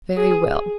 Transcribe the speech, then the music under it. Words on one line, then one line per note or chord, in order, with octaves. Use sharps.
'Very well.
G#4